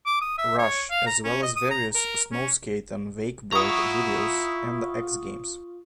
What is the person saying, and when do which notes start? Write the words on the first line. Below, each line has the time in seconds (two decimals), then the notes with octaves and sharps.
Rush, as well as various snowskate and wakeboard videos, and the X Games.
0.06 D6
0.21 D#6
0.38 E5
0.59 C#5
0.91 F5
1.07 A#5
1.25 C#4
1.42 D#5
1.56 D#6
1.71 A#5
1.95 A#4
2.32 C#4
3.53 E4 F4 F#5 A#5 C#6 D#6